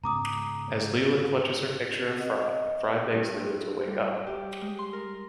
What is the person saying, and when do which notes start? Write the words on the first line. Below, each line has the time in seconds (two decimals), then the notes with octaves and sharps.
As Leela clutches her picture of Fry, Fry begs Leela to wake up.
0.04 G#2 C#3 B3 A#5 D6 D#6
2.16 C4 D#5 F#5
3.13 G2
3.37 F#2
3.87 G3
4.27 G4
4.61 G#3
4.79 C6
4.93 A#4